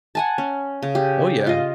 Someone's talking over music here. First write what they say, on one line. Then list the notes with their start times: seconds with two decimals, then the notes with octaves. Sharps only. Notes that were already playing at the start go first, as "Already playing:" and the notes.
Oh, yeah.
0.15 F#5 G#5 A5
0.38 C#4
0.82 C#3
0.95 G4
1.47 F4 D#5